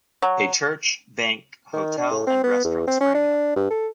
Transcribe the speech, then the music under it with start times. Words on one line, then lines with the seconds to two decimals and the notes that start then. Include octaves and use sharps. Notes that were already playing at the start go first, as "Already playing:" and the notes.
A church, bank, hotel and restaurant sprang up.
0.22 F#3
1.73 D#3
1.97 D4
2.11 A2
2.27 C4
2.44 B3
2.65 E2
2.87 C4
3.00 C#4
3.14 D4
3.56 G2
3.70 A4